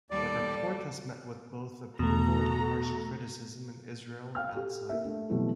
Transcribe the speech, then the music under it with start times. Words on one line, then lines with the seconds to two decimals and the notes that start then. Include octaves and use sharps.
The report has met with both approval and harsh criticism in Israel and outside.
0.10 D#2 G3 A4 D5
1.99 E2 B2 A3 F#4 A4 A#5
4.35 F5 G5 F6
4.55 G4 A4
4.89 A#3 E5
5.04 A3 D4
5.29 B2 E3 F#3 G3 A3 C4